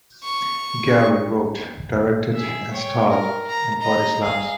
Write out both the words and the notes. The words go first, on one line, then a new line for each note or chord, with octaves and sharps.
Gary wrote, directed and starred in Bodyslams!
C#6
G#4 E5
C#5 G5
A#4
A#5
D#5 A#5
G#4 F5